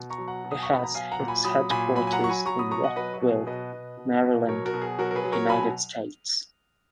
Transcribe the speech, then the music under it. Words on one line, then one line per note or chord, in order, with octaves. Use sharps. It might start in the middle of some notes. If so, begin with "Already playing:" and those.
It has its headquarters in Rockville, Maryland, United States.
Already playing: B2
A#5 C#6
F#3
F#5 A#5
B2
D#6
C#6
B2 B5
A#5
F#3 F5 G#5
F#5 A#5
A#2
G#5 B5
F#3 B5 D#6
A#2 G#5 B5
F#3 G#5 B5
G#5
F#5 A#5
F#3 C#6
G#5 B5
F#3 A#5 C#6
B5 D#6
B2 A#5 C#6
D#5 F#5
F#3 B4 D#5
F#4
B2
G#4
B2 B4 D#5
B2
B2
B2
F#3 A#4 C#5
F#4 A#4
B2
G#4
F#3 F#4 A#4
A#4
G#4 B4
F#3
A#4 C#5
B2 G#5 B5